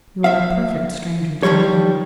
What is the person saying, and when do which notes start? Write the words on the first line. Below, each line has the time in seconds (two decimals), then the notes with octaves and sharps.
"You are a perfect stranger to me."
0.24 E5 F5
1.43 D#3 F3 G3 C#5